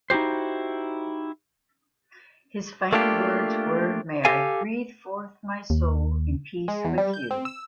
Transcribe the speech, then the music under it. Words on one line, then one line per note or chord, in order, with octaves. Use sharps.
His final words were: "May I breathe forth my soul in peace with you".
D#4 E4 F#4 G4 C5
A3 A#3 D4 F4 G4
G4 A4 F5 G#5
D#2
G#3
E2
G3
G6
C4
E6